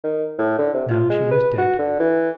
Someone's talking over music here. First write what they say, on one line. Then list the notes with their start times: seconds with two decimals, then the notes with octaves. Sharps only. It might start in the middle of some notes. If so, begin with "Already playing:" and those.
Now she was dead.
0.04 D#3
0.39 A2
0.59 D3
0.74 C3
0.91 F4
1.10 G#3
1.31 B4
1.58 F#4
1.79 D3
1.99 E3